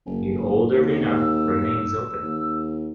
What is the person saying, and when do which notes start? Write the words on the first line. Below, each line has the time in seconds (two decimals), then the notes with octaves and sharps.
The old arena remains open.
0.06 F#1
0.71 D#2
1.15 E6
2.22 D#2